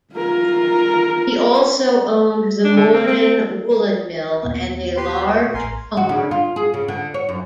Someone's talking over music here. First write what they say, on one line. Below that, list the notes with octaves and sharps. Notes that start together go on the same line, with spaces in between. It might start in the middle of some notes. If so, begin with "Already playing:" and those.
He also owned the Morden Woollen Mill and a large farm.
F4 A#4
D4
D3
C4
C4
D#2 A#2 B3
G4 B4 C6
F#4
A1 A#4 G#5 C6
F#4
C#3
F4
G#4
C#3
D3
C#5
F#2